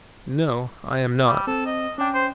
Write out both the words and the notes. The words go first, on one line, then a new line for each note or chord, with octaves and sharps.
"No, I am not."
G3
C4 A4
D#5
C#4 D4 G5
C5